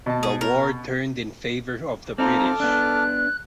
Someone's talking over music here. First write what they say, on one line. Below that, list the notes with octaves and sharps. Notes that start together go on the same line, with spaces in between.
The war turned in favor of the British.
B2 D#5 A5
G#4
A#4
C4 D#4 F4 A4 A#5 D6 F6
B3 D4 F#6